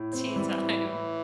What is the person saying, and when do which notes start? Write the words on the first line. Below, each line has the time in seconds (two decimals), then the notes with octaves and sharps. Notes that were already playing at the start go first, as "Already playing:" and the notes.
tea time.
Already playing: A2
0.13 C4
0.24 E3
0.36 G3
0.61 A2
0.85 A2